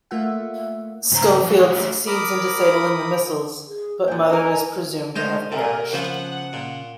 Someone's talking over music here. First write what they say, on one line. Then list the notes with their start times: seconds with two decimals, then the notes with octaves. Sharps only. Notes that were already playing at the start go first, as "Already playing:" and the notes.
Schofield succeeds in disabling the missiles, but Mother is presumed to have perished.
0.11 A3 A#3 F4 E5 F#5
1.12 G#2 C#3 C5 A#5
1.43 F3 B4
1.70 A3 G4 C#5
2.07 A#4 B5 D6 D#6
3.66 G#4
4.08 A#2 G5 G#5
4.30 D#4 A#4
5.16 G#3 A3 C5 D#5 F5
5.52 C3 A4 A#4 G5 G#5
5.93 C#3 F3 B3 F#5
6.53 A#2